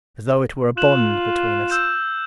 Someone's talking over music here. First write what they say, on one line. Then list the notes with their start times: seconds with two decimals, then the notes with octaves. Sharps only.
As though it were a bond between us.
0.77 F4 F#6 E7 F#7
1.70 E6 G6 E7